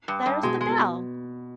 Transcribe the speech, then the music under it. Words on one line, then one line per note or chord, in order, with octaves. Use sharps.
"There's the bell!"
G2
G2
B2 G#3
G#3
B2